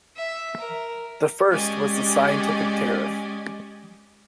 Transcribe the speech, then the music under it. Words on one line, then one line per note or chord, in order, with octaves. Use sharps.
The first was the "scientific tariff".
E5
A#4
G#3 C#4 G4 D5 D#5 G#5